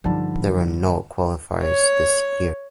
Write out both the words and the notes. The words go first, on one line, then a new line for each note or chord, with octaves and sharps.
There were no qualifiers this year.
G2 D3 F3 D#4 A5
C#5